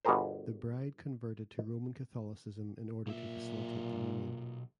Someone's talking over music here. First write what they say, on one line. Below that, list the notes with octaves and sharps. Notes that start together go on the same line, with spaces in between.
The bride converted to Roman Catholicism in order to facilitate the union.
G1 B2 G4 G#4 A#4 C5
B1 A#2 E5